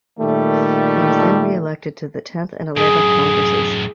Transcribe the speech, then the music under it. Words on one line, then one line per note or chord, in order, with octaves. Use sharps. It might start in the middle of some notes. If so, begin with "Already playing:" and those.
He was then re-elected to the Tenth and Eleventh Congresses.
A#2 D#3 G3 A3
F#2 A2 G#4